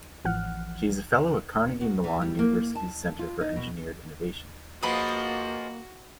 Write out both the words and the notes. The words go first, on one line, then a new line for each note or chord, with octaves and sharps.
She is a fellow at Carnegie Mellon University's Center for Engineered Innovation.
A1 E3 F3 F#5 F6 F#6
F#4
E3
G3
A#3
A5
F4
D#4
B2
F3 G#3 A#3 B3 F4 F#4 B5 D#6